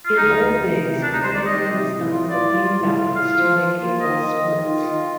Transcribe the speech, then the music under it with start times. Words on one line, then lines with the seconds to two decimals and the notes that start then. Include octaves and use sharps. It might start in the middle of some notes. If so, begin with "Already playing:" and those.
In old days, weighing was done with a beam balance to make equal splits.
0.06 F4
0.17 D2 D#4
0.39 D2
0.60 C3
0.81 C3
1.03 D2 D4
1.14 D#4
1.24 D2 C5
1.35 D5
1.45 D#3 D#5
1.67 C3
1.88 A2
2.09 F4
2.30 F4 D5
2.52 F4
2.73 A2
2.94 F4
3.15 F4 F5
3.37 F3
3.58 F4
3.79 A#3
4.01 D#3 D#5
4.22 D#3
4.43 D#3
4.65 F4
4.86 D#3